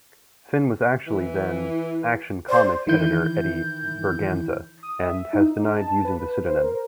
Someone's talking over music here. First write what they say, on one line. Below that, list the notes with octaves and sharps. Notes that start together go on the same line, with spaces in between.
Finn was actually then-"Action Comics" editor Eddie Berganza, and has denied using the pseudonym.
E3
C5 D5
D#3 E3 E4 G6
D#6
E5
D#4
D#4
A5
B4
C5
A#4